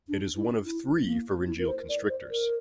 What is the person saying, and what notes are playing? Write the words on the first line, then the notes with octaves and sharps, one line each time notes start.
It is one of three pharyngeal constrictors.
D4
E4
E4
A#3
E4
A#4
C5
D5
C5
A#4